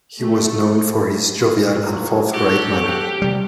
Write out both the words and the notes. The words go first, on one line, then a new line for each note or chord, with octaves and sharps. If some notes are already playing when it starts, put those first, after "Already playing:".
He was known for his jovial and forthright manner.
A3
A#2 F#3
F#4 G4 A4 F#6
C3 G3